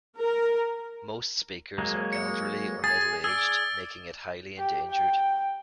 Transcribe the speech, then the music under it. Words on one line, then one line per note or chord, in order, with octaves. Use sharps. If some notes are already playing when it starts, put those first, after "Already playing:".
Most speakers are elderly or middle-aged, making it highly endangered.
A#4
F#3 G#3 A#3
C#7
G#4 G#5 A6
G#4 D5 E6
G4
G5